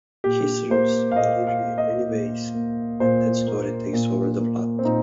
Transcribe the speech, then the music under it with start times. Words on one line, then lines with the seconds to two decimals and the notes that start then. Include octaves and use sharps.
He serves Valeria in many ways, and that story takes over the plot.
0.24 A#2 G4
0.70 A#3 C5
1.12 F5
1.16 A#2 D#5
1.47 F5
1.62 A#3
1.78 D#5
2.09 A#2
2.54 A#3
3.00 A#2 C5
3.47 A#3
3.93 A#2
4.39 A#3
4.79 C4
4.85 A#2 D#4